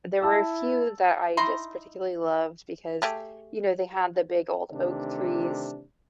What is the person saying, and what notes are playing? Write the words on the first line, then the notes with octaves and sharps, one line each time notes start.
there were a few that I just particularly loved because, you know, they had the big old oak trees,
E4 A5 E6
D#4 E4 A#5 C6
A3 G4 G#4
C3 D#3 E3 A3 D4